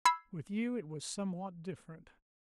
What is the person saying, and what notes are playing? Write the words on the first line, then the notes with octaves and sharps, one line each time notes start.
With you it was somewhat different.
B5 E6 G#6 C7